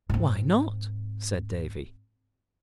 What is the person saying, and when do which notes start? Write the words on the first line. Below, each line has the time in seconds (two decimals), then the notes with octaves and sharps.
"Why not?" said Davy.
0.10 G#2 C4